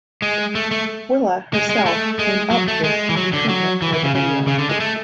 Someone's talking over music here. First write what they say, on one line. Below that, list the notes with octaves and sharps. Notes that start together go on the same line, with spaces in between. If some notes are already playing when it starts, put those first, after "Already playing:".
Willa herself came up with the treatment for the video.
G#3
A3
A3
G#3
G#3
A3
G#3
F#3
A3
G#3
E3
F#3
D3
F#3
E3
E3
C#3
C#3
C#3
D3
G#3
A3